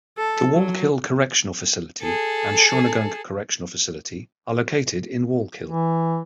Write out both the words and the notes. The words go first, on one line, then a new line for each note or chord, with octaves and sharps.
The Wallkill Correctional Facility and Shawangunk Correctional Facility are located in Wallkill.
A4
F#3
G#4 A4
E3